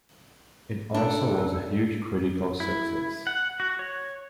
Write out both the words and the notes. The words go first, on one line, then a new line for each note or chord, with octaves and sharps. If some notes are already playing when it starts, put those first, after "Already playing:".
It also was a huge critical success.
D4 A4
E4
F#5
F#4
C#5